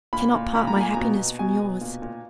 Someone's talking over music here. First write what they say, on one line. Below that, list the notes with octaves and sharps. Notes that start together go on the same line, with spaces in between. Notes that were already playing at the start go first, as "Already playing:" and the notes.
I cannot part my happiness from yours.
A#2 B5
A#2
A#2 B5
A#5
A#2 G#5
B2 A#5
B2
B2 G#5
B2
A#2
A#2